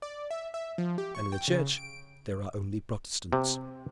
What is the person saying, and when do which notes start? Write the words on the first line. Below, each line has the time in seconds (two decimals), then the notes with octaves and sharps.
And in the Church there are only Protestants.
0.02 D5
0.31 E5
0.54 E5
0.78 F3
0.98 G4
1.15 C#6
1.32 G5
1.48 C#3
1.77 D7
3.33 C3